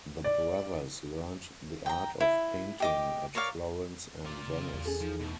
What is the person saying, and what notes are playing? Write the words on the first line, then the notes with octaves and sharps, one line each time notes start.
The brothers learnt the art of painting at Florence and Venice.
D5
G5 A#5
E4
G4 D#5 D6
A#4 C#5 D5 F5
F4 D5
C#3
E2
C#4 G#4 A4
F3 D#4
B2 A3